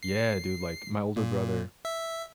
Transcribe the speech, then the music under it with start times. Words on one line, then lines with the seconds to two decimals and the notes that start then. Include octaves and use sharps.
Yeah, dude, like, my older brother
0.03 C7
1.17 A#2
1.85 E5